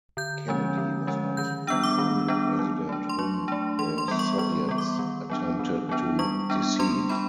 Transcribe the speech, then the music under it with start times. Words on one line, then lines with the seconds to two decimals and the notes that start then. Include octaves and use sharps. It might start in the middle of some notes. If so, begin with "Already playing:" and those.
Kennedy was not the only president whom the Soviets attempted to deceive.
0.17 D3 G6
0.48 F3 G#3 C#4
0.78 D3
1.07 F3 G#3 C#4
1.37 D#3 G6
1.67 G3 B3 D4 E6
1.83 D6
1.99 D#3
2.28 G3 B3 D4
2.59 F#3
2.89 A3 D4
3.09 C6
3.18 F#3 C#6
3.48 A3 D4
3.79 E3 C6
3.98 C6
4.08 G3 B3
4.19 C#6
4.38 E3 C#6
4.69 G3 B3
4.78 D6
4.99 D#3
5.30 F#3 B3 D4
5.59 D#3
5.89 F#3 B3 D4
6.19 G3 C#6
6.50 B3 D4
6.79 G3 C6
7.09 B3 D4 B5